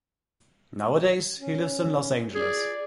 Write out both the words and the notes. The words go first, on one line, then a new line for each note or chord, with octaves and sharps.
Nowadays he lives in Los Angeles.
C#4
G#4 D5